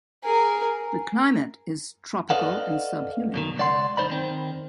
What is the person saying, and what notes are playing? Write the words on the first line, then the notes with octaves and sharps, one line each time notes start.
The climate is tropical and subhumid.
G#4 A#4
A4 B4 D5 D#5 F5 F#5
F#2 B2 D#3
C#2 C#3 D5 F#5 C6
F#2 D3 D#4 C5 D5 B5
D#3 C4